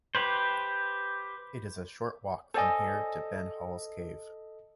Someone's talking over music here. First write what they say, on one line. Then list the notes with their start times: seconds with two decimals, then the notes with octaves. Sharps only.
It is a short walk from here to Ben Halls Cave.
0.15 G4 B4 C5
2.54 A4 C5 D5 D#5 G#5